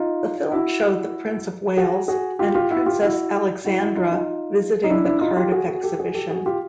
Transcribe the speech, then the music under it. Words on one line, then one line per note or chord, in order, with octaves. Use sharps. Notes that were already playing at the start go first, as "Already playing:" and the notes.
The film showed the Prince of Wales and Princess Alexandra visiting the Cardiff Exhibition.
Already playing: D#4 F4
E4 F#4
F#4 G#4
F#4 G#4
F4 G4
F4 G4
E4 F#4
F4 G4
E4 F#4
E4 F#4
E4 F#4
D#4 F4
D#4 F4
D#4
D4 E4
D4 E4
D#4 F4
F4 G4
F#4 G#4
F#4 G#4
G4 A4
F#4 G#4
G4 A4
F#4 G#4
F4 G4